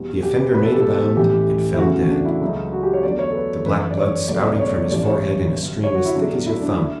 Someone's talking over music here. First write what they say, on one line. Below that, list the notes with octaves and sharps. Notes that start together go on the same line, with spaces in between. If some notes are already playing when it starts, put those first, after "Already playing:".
The offender made a bound and fell dead, the black blood spouting from his forehead in a stream as thick as your thumb.
Already playing: E2 B2 G3
G4
B4
E2 B2 G3 B4
A4
G4
A4
A1 A2 E3 G4
E4
E2 C#3 E3 A3 F#4
F#4
D4
E4
C#2 C#3 F#3 A3
F#4
G4
C#5
E2 D3 F#3 A3 D5
C#5
A4
B4
F#2 E3 A3 B4
D5
C#5
C#2 B2 F#3 A3 D5
D5
C#5
A1 G2 E3 G3 D5
C#5
G1 G2 F#3
C#5
F#4
E4
E2 D3 F#3 A3 D4
E4
D4
D3 E4